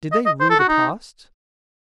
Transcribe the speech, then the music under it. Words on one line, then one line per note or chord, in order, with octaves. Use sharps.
Did they rue the past?
D#5
D#5
C5
A4
F#4
D#4